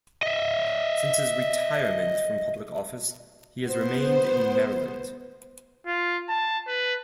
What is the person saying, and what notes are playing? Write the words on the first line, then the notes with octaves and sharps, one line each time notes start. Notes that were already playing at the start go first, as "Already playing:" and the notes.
Since his retirement from public office, he has remained in Maryland.
D#5 E5
B3 C5
F4
A5
B4